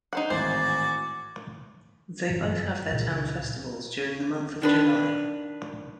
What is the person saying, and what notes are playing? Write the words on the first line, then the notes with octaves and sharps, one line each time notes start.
They both have their town festivals during the month of July.
D#4 C5 F#5
G#1 A2 E3 F#4 C5 D5 G#5
F#1 G2 E3 F#3
C#2 A#2 C#3
D#3 D4 B4